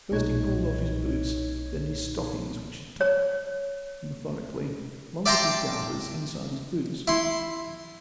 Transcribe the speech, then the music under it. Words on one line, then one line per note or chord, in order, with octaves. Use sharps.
First he pulled off his boots, then his stockings, which he tucked methodically, along with his garters, inside his boots.
B1 A#2 D#4 C#5 G#6
C#5
D5 E5 G5 A5 A#5 C6
E4 C6